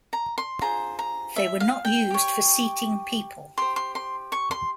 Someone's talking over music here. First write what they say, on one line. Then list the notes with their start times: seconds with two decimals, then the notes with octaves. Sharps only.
They were not used for seating people.
0.13 A#5
0.38 C6
0.61 F4 G#4 C5 A#5
0.99 A#5
1.36 E5
1.60 F5
1.85 G5
2.11 G4 C#5
3.58 G4 C5 C6
3.76 C6
3.95 C6
4.32 C#6
4.51 C6